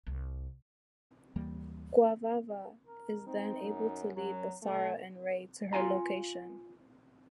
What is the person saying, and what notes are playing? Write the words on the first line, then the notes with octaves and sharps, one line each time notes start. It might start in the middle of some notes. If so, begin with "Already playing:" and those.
Guvava is then able to lead Basara and Ray to her location.
C2
D#2 E3 G3 A#3
A#4
C4 D#4
F#2
F#2 F#3
B2 A3
F4 F5 G#5 A#5